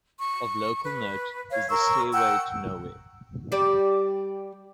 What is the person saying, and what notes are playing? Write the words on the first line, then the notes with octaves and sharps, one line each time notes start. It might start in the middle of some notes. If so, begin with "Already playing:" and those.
Of local note is The Stairway to Nowhere.
C#6
B4
C#5 F5
A#4 C6 C#6 E6
F#5 G5 E6
G3 G4 D5